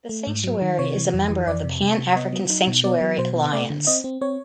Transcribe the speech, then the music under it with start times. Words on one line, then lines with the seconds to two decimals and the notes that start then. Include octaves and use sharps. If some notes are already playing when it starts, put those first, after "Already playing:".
The Sanctuary is a member of the Pan African Sanctuary Alliance.
0.09 A3
0.27 G#2
0.44 F#3
0.62 D#3
0.79 C3 C#5
0.96 E3
1.13 F2
1.30 E3
1.47 F2 D5
1.64 C3
1.81 C3
1.99 C3
2.16 B3 D#5
2.33 F#3
2.49 D#4
2.67 B2
2.84 B3 D5
3.01 F#3
3.18 B2 C5
3.36 B3
3.53 A3 D5
3.70 D3
3.87 C4 D#5
4.04 C4
4.21 C4 C#5